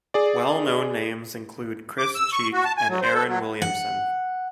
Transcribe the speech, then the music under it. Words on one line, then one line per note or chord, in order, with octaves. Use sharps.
Well-known names include cris cheek and Aaron Williamson.
G#4 D5
D6
E6
C#6
F#4
A5
G#5
F#3
C5
A4
F#3
F#5